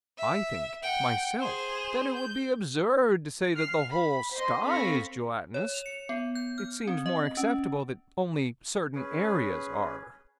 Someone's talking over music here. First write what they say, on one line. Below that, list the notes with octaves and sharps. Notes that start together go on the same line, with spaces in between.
I think, myself, that it would be absurd to say that the whole sky is gelatinous: it seems more acceptable that only certain areas are.
E5
F#5 G5
G#4 C5
G6
F6 C7
B5
C5 D#5 C6
C4 A4 F5 B5 C#6 A#6
C#5
F7
C#7
B3
G6
F6
C4
D#5
C#4
C#4 G#4 B4